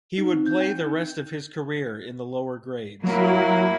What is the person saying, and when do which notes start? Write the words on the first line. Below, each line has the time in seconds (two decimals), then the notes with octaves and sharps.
He would play the rest of his career in the lower grades.
0.18 D#4
0.33 C4
0.46 G6
0.61 G5
0.81 D#4
3.04 F#3 A#3 E4